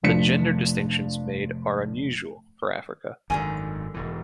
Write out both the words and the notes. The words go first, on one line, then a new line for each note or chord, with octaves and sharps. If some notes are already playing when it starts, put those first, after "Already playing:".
The gender distinctions made are unusual for Africa.
F1 F3 D4 B6 C#7
G#1 F#2 D3 D#3 A#4 G#5
E1 G#2 E3